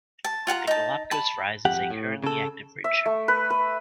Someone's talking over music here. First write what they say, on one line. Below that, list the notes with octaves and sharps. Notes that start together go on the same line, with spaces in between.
The Galapagos Rise is a currently active ridge.
A5
F4 F#5 G#5 A#5
D#4 A5
A5 B5
F2 G4 F#5
A2
C#3 A4
E5
A3
B4
B4